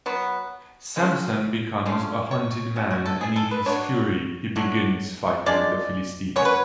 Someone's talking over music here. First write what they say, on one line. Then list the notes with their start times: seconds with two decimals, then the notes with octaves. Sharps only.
Samson becomes a hunted man and in his fury he begins fighting the Philistines.
0.06 F#3 B3
0.96 C#3 F3 C#4
1.86 D3 F3 A3 C#4 F5
2.31 C#5
2.76 F#3 C#4
2.91 F#4
3.06 A4
3.21 G#4
3.36 A4
3.51 B4
3.66 F#3 A3 D4 C#5
4.56 F#3 A3 D4
5.46 F3 G#3 D4 D5
6.36 F#3 C#4 C#5
6.45 B4